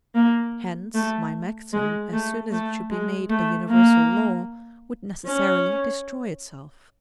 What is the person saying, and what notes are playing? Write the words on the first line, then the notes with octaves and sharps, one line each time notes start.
Hence my maxim, as soon as it should be made a universal law, would necessarily destroy itself.
A#3
A3
G#3
A3
A3
G#3
A3
A#3
C#4